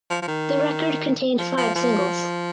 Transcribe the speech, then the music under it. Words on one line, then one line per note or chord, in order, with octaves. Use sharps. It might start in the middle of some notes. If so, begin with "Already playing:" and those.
The record contained five singles.
F3
F3
D#3
F3
F3
F3